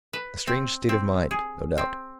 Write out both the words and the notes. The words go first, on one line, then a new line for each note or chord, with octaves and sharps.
A strange state of mind, no doubt.
B4
C4
C4
G#4
C4